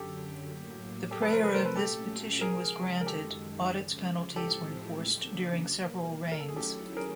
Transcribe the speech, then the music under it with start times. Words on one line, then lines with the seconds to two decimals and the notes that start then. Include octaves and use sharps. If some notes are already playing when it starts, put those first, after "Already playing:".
The prayer of this petition was granted, audits penalties were enforced during several reigns.
Already playing: F#2 D3 F#3 G4 A4
0.46 A2 F#3 A#3
1.11 C3 F3 A3 C4 G4 A4
1.22 A4 B4
1.33 A#4 C5
1.43 A4 B4
1.54 A#4 C5
1.65 A4 B4
1.76 A#2 F#3 A3 C#4 G4 A4
2.41 C#3 F3 G#3 G#4 A#4
3.01 A#4
3.06 F#2 D#3 G#3 G4 A4
3.72 C#3 F3 G#3
4.36 A2 F3 G#3 C4 E4 G4 A4
5.02 C#3 F#3 A#3 D4
5.66 B2 G3 A#3
6.31 D#3 F#3 A3 C#4 E4 A#4
6.40 A4
6.48 G#4
6.56 G4 A4
6.96 G#4 A#4